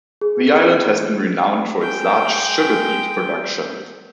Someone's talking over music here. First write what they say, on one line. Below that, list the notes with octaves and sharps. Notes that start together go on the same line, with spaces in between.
The island has been renowned for its large sugar beet production.
G#4
G#3 G5